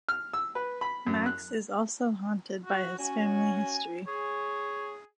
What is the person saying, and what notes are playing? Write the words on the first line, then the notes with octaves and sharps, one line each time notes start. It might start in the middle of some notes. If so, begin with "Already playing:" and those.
Max is also haunted by his family history.
F6
E6
B4
B5
F#2
F#6
F#4
C#4 F#4 G#5
G#4 C#5